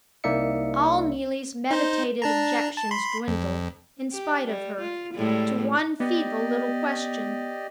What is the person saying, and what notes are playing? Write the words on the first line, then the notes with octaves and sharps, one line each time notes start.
All Neelie's meditated objections dwindled, in spite of her, to one feeble little question.
C2 A#3 D#4 D5 E5 C#7
D#4 C5
D4 A5 A#5
A5
B5 C6
F2
G4
G3
F4
A2 G3 G#3
B3 G4 D5 D#5